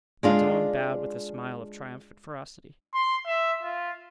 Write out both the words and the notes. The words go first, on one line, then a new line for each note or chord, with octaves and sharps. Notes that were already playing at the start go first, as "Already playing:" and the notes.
Mordaunt bowed with a smile of triumphant ferocity.
G#3 D4 F4
C6
E5
F4